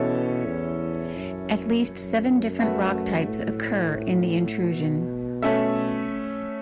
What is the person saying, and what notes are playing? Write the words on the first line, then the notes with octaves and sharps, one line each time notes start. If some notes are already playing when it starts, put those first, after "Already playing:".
At least seven different rock types occur in the intrusion.
Already playing: B2 E3 C#4 A4 C#5 E5
E2
F#2
F#2
A3 F#4 B4 E5
A2
B2
A3 C#4 A4 E5